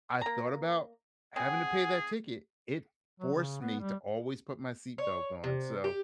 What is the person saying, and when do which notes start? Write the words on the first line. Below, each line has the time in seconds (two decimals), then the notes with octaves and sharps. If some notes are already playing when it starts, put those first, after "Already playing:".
I thought about having to pay that ticket. It forced me to always put my seat belt on, so,
0.21 A#3 A#5
1.36 C4 G#4 F#5 G#5
3.20 F#3
3.35 C#3
3.60 B3
3.80 G3
4.98 C#5
5.44 C3
5.84 G4